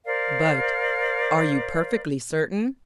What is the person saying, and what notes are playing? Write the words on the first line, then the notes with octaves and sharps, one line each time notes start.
"But are you perfectly certain?"
A#4 C5 D5 F5